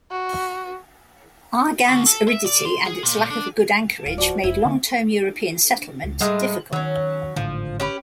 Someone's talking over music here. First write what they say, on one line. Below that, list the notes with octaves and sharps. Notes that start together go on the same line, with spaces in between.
Arguin's aridity and its lack of a good anchorage made long-term European settlement difficult.
F#4
D2
A4
E5
D5
C6
G#4
A#2
D4
D1 F4
F3 F#4 D5
F1 E4
D3 A#3
C#2
A2 G3 G#3
D#3 F#3 C#4
G#1 A2 D3 F3
C#4 G4 B4